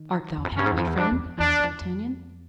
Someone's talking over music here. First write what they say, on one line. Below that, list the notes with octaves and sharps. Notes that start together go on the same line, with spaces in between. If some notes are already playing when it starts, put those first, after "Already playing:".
"Art thou happy, friend?" asked D'Artagnan.
Already playing: D#3
E2
F2
F#2
G2 C#4
G#2
E2
F2
E2
F2 D4
E2
F2
E2 D4
E2
F2